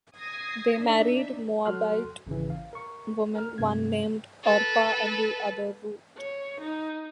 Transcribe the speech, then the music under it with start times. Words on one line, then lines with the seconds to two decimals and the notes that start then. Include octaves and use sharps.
They married Moabite women, one named Orpah and the other Ruth.
0.16 D#6 G#6 A#6 C7
0.80 D4 D#4 E5
1.65 F#3 F#4 A4 C6 F6 F#6
2.27 G#1 C#3 E3
2.50 F5
2.73 A#4 C#6
3.35 A#4 F6
3.58 G2 C3 A#3 G#6
4.44 A4 B4
6.18 C#5
6.61 D#4